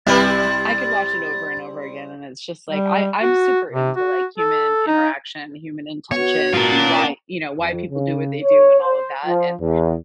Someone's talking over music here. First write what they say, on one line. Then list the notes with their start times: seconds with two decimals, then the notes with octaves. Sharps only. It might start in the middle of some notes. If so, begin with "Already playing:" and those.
y I could watch it over and over again, and it's just like, I I'm super into, like, human interaction, human intention, and why, you know, why people do what they do and all of that. And
0.07 C2 G3 C4 E4 B4 A6
2.69 G3
3.23 F#4
3.72 C3
3.96 F#4
4.38 A4
4.87 D#4
6.12 B3 F#4 C#5
6.54 G#2 D4 F4 A#4
6.72 A#3 C#4 D4
7.60 F2
7.91 C#3
8.43 C#5
8.81 C5
9.26 F3
9.61 E2